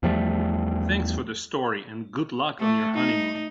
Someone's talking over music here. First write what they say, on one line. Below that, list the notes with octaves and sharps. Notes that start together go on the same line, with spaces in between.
Thanks for the story and good luck on your honeymoon.
E2 F3 G3 A3
A3
D#4